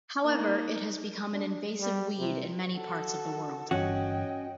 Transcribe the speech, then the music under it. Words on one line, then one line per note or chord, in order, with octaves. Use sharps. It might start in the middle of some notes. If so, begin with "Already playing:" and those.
However it has become an invasive weed in many parts of the world.
A#3 D#4
D4
G3
C3
F#4 A4
G1 G2 E3 C#4 F#4 D#5 G5